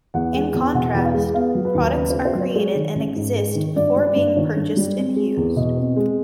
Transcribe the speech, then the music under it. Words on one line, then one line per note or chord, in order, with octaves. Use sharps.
In contrast, products are created and "exist" before being purchased and used.
E2 F#5
G#3
E2
B2 F#5
E2
F5
G#3
B3 F5
F#3
B4
D#2
C#3 B4
B3 C5
C5
F#3 C#5
G#3 C#5
D#3
A1
G#2
G#3
D#3
G2 D5
G3
D5
G2
D#3 C#5
G2
G3
C4
G#3
E2
B2 D#5
C4
G#3